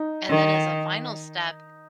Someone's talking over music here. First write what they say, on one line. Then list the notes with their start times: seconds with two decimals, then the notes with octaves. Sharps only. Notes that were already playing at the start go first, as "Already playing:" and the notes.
And then as a final step,
Already playing: D#4
0.29 D#3